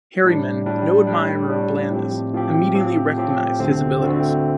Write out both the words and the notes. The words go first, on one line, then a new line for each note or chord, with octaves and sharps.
Harriman, no admirer of blandness, immediately recognized his abilities.
A2 G3 D4
A2 G3 D4
A2 G3 D4
A2 G3 D4
A2 F3 C4 G4
A2 F3 C4 G4
A2 F3 C4 G4
A2 F3 C4 G4
D2 D3 A3 C4
D2 D3 A3 C4